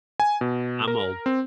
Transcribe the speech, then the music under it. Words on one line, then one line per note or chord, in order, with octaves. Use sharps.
I'm old.
G#5
B2
A#4
C4